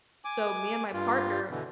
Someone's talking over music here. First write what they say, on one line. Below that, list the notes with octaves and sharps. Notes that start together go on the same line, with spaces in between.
so me and my partner
G#5 D6
G2 F4
B2 D3 E3